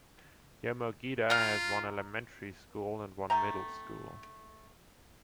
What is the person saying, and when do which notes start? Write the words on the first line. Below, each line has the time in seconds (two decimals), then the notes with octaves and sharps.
Yomogita has one elementary school and one middle school.
1.30 F4 A#5 F6
3.30 D3 A3 G5 A#5